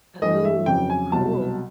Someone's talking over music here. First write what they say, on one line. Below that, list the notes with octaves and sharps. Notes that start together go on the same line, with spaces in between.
Oh, cool.
G2 E3 A3 D#5
E5
F2 C#3 F#3 G5
G#5
C2 B2 F#3 A5